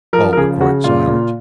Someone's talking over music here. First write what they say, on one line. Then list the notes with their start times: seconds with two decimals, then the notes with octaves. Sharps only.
All were quite silent.
0.13 F3 A#4
0.33 A#4
0.37 C#3 G#4
0.60 C#3 F#4
0.84 A#2 F4
1.07 A#2